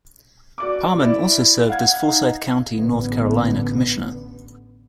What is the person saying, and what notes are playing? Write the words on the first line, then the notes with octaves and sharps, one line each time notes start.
Parmon also served as Forsyth County, North Carolina commissioner.
F#4 D5 D6
E4 D5
F5 F#5 G#6
D#4
A1 D3 B3